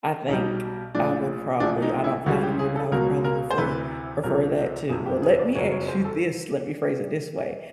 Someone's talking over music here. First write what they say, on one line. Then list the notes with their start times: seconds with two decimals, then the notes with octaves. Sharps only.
I think I would probably I don't fly anymore, but I would probably refer prefer that too. Well, let me ask you this, let me phrase it this way:
0.29 B1 B2 G3 D#4
0.95 A#1 A2 F3 D4
1.60 A#1 A2 F3 D4
1.82 D#4
2.04 E4
2.26 C#2 C#3 E3 G3 F#4
2.43 G4
2.59 G#4
2.75 A4
2.92 C#2 B2 F#3 A#4
3.24 A#4
3.51 C5
3.58 D2 C3 E3 B4
4.23 C2 C3 F3 A#4
4.89 F#1 F2 C3 G#4
5.06 G4
5.22 G#4
5.39 D5
5.55 F#1 F2 C#3 F#3 C#5
5.72 C#5
5.88 C5
6.05 A4